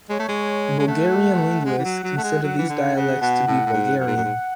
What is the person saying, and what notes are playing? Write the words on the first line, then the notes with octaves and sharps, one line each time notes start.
Bulgarian linguists consider these dialects to be Bulgarian.
G#3 C#5
A3
G#3
G#3
A3 F#5
G#3 F#5
E3
F#3
F#3
A3
G#3
F#3 F#5
E3
D3
C#3
B2 F#5
A2
A2
G#2
F#2 F#5
G#2
F#2
G#2